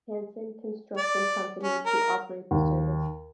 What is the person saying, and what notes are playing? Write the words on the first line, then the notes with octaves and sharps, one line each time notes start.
Hanson Construction company to operate the service.
D5
C#4
A#4
D#2